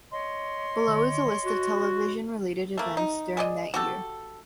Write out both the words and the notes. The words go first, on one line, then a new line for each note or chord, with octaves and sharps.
Below is a list of television-related events during that year.
C#5 D#5 C6
F#4
A3 A#3
D#4
G#3 D5 D#5
F#4 G4 A4